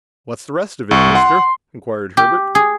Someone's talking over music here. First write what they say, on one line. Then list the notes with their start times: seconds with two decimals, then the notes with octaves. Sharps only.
"What's the rest of it, Mister?" inquired Herbert.
0.91 C2 C#6
1.15 F#5 C6
2.17 G4
2.55 G#4